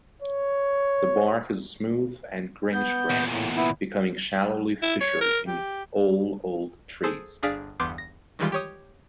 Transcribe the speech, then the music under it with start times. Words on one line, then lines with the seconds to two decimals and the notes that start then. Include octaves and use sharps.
The bark is smooth and greenish-grey, becoming shallowly fissured in all old trees.
0.22 C#5
2.73 B3 G6
3.10 E2 A#2
3.32 A2
3.56 B3 E4
4.82 E4
5.01 C#5
5.21 A#4
5.47 G4
7.03 G#4 A4 C5
7.43 G1 D4 G#4 D5 F5 B6
7.80 G1 E2 B3 C6 D6 G6
7.98 A#6
8.39 D#3 E3 G3 G#3 F4 G4
8.52 G4 C#5 D#6